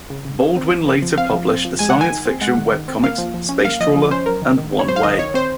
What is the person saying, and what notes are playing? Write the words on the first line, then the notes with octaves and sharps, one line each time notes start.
Baldwin later published the science fiction webcomics "Spacetrawler" and "One Way".
C#3
C#3
C#4
C4
F3
C4
F3
C4 F5
F3
C4
F3
G#3 G#5
F#5
D#3
G#5
D#3
C4
G#3 F#5
D#3
D#3
C4
A#3 F5
F3
F3
C#4
A#3 F5
F3 D#5
F3
C#4 C5
F#3 A#4
D#3
D#3
C4
C#5
F#3 C5
F5
D#3 D#5
D#3 C#5
C4 C5